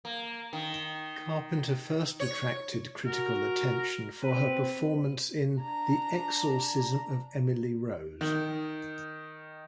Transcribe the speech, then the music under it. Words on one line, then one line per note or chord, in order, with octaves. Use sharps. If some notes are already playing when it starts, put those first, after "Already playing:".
Carpenter first attracted critical attention for her performance in "The Exorcism of Emily Rose".
A#3
D#3
C#5
F#4 A#4
C4 B4
D4 A#5
D#3